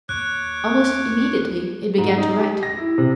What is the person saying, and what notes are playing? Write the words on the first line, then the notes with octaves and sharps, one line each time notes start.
Almost immediately it began to write.
D#2 C#5 D6 F#6
G#2
D#4
G4
A#6
E4
C3